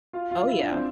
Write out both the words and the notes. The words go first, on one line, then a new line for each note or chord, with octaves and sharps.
Oh yeah.
F4 F5
F4 F5
E4 E5
D4 D5
C4 C5